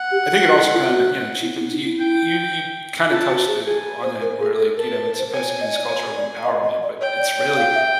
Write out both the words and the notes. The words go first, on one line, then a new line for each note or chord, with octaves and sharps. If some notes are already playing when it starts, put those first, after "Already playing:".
I think it also kind of, you know, cheapens you you you kind of touched on it, where like, you know, it's supposed to be this culture of empowerment, but it's really
Already playing: F#5
G4
F#4
E4
F4
F#4
E4
E4
D#4
E4
G5
F4 A5
F#4
G#4
G#4 G#5
C5
A#4
G#4
A4
A#4 A5
B4
A#4
C5
C#5 G#5
C#5
D#5
D5
C#5
D5
D#5
D#5
D5
C#5 G5
D5
C#5
F5
E5